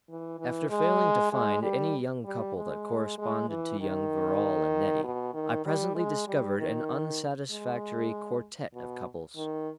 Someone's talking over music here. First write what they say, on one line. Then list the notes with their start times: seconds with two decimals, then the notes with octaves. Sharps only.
After failing to find any young couple that corresponded to young Verrall and Nettie, I presently discovered an unsatisfactory quartette of couples.
0.09 E3
0.39 E3
0.70 G#3
1.32 G#3
1.63 G3
2.25 G3
2.56 G#3
3.18 G#3
3.48 E3
3.80 D#3
5.04 B2
5.34 D#3
5.66 G3
5.95 G#3
6.27 G3
6.58 D#3
7.51 G#3
8.74 B2
9.36 D#3